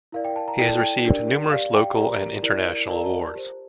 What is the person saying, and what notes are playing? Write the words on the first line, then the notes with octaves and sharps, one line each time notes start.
He has received numerous local and international awards.
E4 A#4 D5 F5
G5
A5
A#5
E4 A4 D5 G5
A5
G5
D4 G4 A#4 D5
G4 D5 F5
G5
G4 A#4 D5 A#5
E4 A#4 D5
F4 A#4 D5 A5
A#5
A5
G4 C5